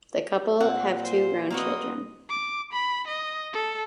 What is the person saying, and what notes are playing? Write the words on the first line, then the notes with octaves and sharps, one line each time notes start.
The couple have two grown children.
A#2 C4 F#5
C5
A#3 C4 F#4 B4 D#5
D6
B5
D#5
A4